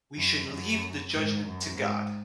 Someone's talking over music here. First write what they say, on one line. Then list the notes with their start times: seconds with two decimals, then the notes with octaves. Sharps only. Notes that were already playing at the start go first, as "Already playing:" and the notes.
We should leave the judgment to God.
0.16 F#2
0.48 F#2
1.14 G#2
1.46 F#2
1.78 G#2